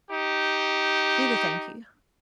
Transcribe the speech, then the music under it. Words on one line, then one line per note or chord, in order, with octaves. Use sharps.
"Neither, thank you."
D#4 G4